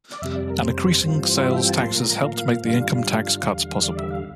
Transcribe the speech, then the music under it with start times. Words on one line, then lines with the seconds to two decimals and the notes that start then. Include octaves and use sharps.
And increasing sales taxes helped make the income tax cuts possible.
0.12 D5
0.22 F2 C3 G3 E5
0.36 D5
0.50 A#4
0.62 C5
1.03 G2 E3 G3 C4 F4
1.42 E5
1.56 G5
1.69 A5
1.83 A2 F3 A#3 C6
1.96 A#5
2.10 A#5
2.23 F5
2.64 G2 D3 G3 D4 F4
3.43 E2 D3 G3
3.83 D5
3.97 E5
4.11 F5